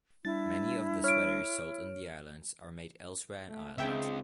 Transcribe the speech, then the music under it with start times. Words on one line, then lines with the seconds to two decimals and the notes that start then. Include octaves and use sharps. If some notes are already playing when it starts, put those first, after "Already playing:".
Many of the sweaters sold in the islands are made elsewhere in Ireland.
0.25 G3 D4 E4 A6
1.04 C#5 F6 D7
3.49 A3
3.78 C#2 C4 D4 G#4 E5 G5